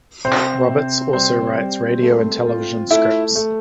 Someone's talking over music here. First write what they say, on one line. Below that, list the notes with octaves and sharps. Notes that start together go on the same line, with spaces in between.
Roberts also writes radio and television scripts.
C3 C4 C5
C3
G3 C4 C5
G3
A3
F4
A3 E4 E5
A3